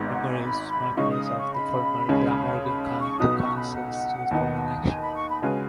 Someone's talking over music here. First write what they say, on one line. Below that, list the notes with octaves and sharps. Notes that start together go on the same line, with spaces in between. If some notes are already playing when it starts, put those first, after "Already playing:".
Numerous members of the former Glamorgan County Council stood for election.
Already playing: G#1 G#2 G#3 B3
D#5
F#5
G#5
B5
B5
C#3 G#3 D#4 C#6
D#6
D#6
C#6
B5
D#2 C#3 G#3 C#4
B5
B5
C#6
B1 B2 B3 D#4 F#4 D#6
C#6
B5
F#5
D#2 D#3 B3 D#4
G#5
B5
C#6
B5
C#3 G#3 C#4 F#4 B4 G#5